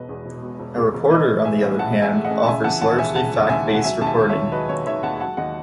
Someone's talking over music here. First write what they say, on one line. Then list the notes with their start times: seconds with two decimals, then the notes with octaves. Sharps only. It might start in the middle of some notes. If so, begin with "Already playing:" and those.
A reporter, on the other hand, offers largely fact-based reporting.
Already playing: E1 B2 B4 D#5
0.09 E2
0.26 E1
0.42 B2
0.60 E1
0.77 E2
0.94 E1
1.10 E3 B4 D#5
1.28 G#3
1.45 A2 E5 G#5
1.62 A1
1.79 E3 F#5 A5
1.96 G#3
2.02 E5 G#5
2.13 A2
2.25 D#5 F#5
2.31 A1
2.43 A5
2.47 C#3 E5 G#5
2.64 E3 F#5 A5
2.81 D#2 F#5 A5
2.98 E1 E5 G#5
3.15 C#3 F#5 A5
3.33 E3
3.49 D#2 E5 G#5
3.67 E1
3.75 F#5
3.83 F#3 E5 G#5
4.01 D#2 A5
4.07 E5 G#5
4.18 D#3
4.29 C#5 E5
4.35 D#2
4.52 F#3 B4 D#5
4.69 D#2 C#5
4.87 D#3 C#5 E5
5.03 D#2 F#5 A5
5.20 F#3 F#5 A5
5.37 D#2 D#5 F#5